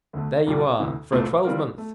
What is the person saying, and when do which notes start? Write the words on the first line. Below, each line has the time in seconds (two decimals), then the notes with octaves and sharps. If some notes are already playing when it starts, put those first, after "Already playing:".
There you are, for a twelvemonth!
0.13 D2 D3 A3
0.47 C2 A#2 G3 D4 G4
0.79 D2 C3 E3
1.12 C2 A#2 A3 C4
1.45 E3 G3 C4 F4 A#4
1.78 A3